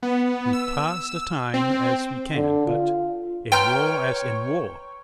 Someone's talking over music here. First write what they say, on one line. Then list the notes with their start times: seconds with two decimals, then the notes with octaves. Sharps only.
We pass the time as we can, but in war as in war!
0.03 B3
0.53 E6
1.54 C4
2.35 D3
2.67 F4
3.52 B4 C#5 G5 A#5 C6 F6 G6